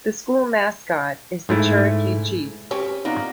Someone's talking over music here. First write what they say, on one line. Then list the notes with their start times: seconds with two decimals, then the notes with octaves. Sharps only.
The school mascot is the Cherokee Chiefs.
1.49 G#2 A3 E4
2.71 C4 C#4 G4 B4
3.05 C3 A#3 B3 D4 D#4 F4